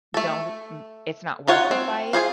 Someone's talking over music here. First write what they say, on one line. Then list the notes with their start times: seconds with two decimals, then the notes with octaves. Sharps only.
don't, n it's not worth the fight,
0.14 A3 A4
1.48 D#4 F4 C#5 F#5
1.71 C4
2.13 F4 G#4 C5 F5